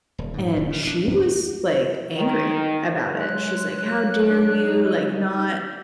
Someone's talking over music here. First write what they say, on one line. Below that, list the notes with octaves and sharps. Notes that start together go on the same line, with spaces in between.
and she was, like, angry about it, she's like, "How dare you, like, not
D#1
G#2
D#1
A#2
D4
F2
D#3
F#3 G#3 F#6
D4
D#4